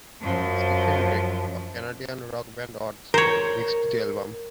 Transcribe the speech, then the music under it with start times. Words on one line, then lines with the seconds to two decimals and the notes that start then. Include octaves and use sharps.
Stephen Drake, of Canadian rock band Odds, mixed the album.
0.21 F#2 F3
3.14 A#4 C5 C#5